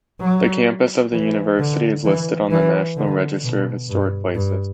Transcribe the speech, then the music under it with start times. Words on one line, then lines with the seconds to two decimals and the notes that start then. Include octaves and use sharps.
The campus of the university is listed on the National Register of Historic Places.
0.20 F#3
1.13 E3
1.59 D3
2.05 E3
2.50 E3
2.97 D3
3.43 B2
3.89 G2
4.35 G2